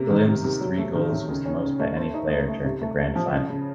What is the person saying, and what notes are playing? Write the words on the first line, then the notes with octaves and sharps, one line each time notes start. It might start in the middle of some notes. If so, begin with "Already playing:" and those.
Williams' three goals was the most by any player during the Grand Final.
Already playing: C3 A#3
D#3
C3
C3
F#3
A3
D#3
D#3
C#3
C#4
C#3
A3
C5
D#4
A3
A3
C3
A3
A3
F3
C#3
C#3